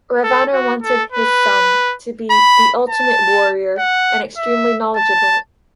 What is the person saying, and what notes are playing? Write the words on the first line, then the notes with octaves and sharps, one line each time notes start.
Ravana wanted his son to be the ultimate warrior and extremely knowledgeable.
A4
F#4
A4
B4
B5
A5
F#5
E5
A5